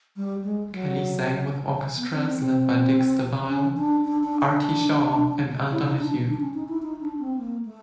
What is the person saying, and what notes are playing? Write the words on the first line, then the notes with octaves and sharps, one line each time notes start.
Kelly sang with orchestras led by Dick Stabile, Artie Shaw, and Al Donahue.
G3
G#3
F#3
B3
C4
C4
C4
C#4
D4
D4
D4
D4
E4
D#4
D4
D#4
D4
C#4
D#4
E4
D#4
D4
C4
A#3
A3